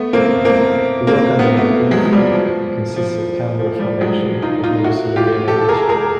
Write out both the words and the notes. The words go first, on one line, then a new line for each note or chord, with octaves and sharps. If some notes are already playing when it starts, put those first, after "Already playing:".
The rock under Moncrieff consists of Canberra Formation of middle Silurian age.
Already playing: A3 B3
A#3 C4
A#3 C4
A#3 C4
B3
C4
A3 B3
F#3 G#3
G#3
F3 G3
F3
F3
F3
F3 G3
F#3 G#3
D#4 F4
D#4 F4
E4 F#4
F4 G4
G4 A4
A4
G#4 A#4
G#4 A#4